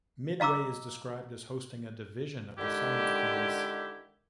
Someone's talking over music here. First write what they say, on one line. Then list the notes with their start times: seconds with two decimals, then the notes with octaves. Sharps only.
Midway is described as hosting a "division" of the Science Police.
0.40 D#5 F5 A#5 D6 E6
2.58 D3 D#3 G#3 E4 G4